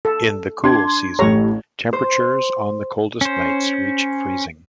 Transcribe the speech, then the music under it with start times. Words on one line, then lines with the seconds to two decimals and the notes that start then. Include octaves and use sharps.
In the cool season, temperatures on the coldest nights reach freezing.
0.05 A4
0.64 D4 C6 G#6
1.19 A1 A2 G4 C#5 A#5
1.93 C5
3.21 C#4 C5